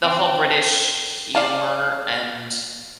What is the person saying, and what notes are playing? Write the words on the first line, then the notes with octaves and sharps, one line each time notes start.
the whole British humor, and
C4
D5 F5 A5